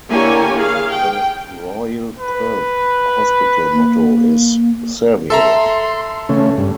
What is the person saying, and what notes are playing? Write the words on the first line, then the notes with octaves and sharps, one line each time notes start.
The Royal Perth Hospital motto is "Servio".
D3 A#3 E4 G4 C#5 G#5
G#4 F5
G5
B4
A#3
A4 E5 A#5 C6
C#3 A3 C#4
G2